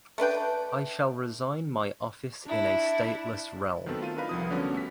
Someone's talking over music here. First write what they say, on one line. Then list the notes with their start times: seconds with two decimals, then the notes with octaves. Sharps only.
I shall resign my office in a stateless realm.
0.18 A3 D4 B4 G5
2.46 D4 E4
3.86 D#3 F#3 B3 C4 A4
4.01 A3 F4 D#7
4.17 D4 D#4 A#4 B4 F5 B5
4.29 C2 F3 D#6
4.50 D3 F#3 G3 B3 C#4 D4
4.74 A3 B6